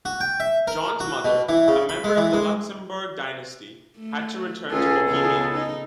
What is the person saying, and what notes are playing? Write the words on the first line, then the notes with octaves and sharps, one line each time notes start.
John's mother, a member of the Luxemburg dynasty, had to return to Bohemia.
F#4
G5
E5
A#4
F#4
B2
E3
C#3
B5
G#3
E3
G#3
A3
C#2 C#4 F4 G#4 A4
C#3 B3 F4
D#4